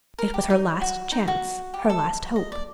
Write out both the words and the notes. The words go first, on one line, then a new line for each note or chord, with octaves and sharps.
It was her last chance, her last hope.
A#4
G4
D#4
F#4
D#4
F#4
G4
A4
D#5
D5